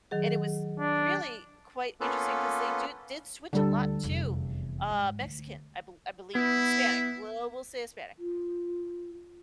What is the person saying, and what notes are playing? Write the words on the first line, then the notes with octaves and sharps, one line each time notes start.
And it was really quite interesting 'cause they do did switch a lot to, uh, Mexican, I be I believe, Hispanic. Well, we'll say Hispanic.
D#3 F#3 G#4
D4
A#3 B3 C#4 F4 A4 B4
D2 D3 G3 A4
F1 E2
G#2
D2
B3 E4
F4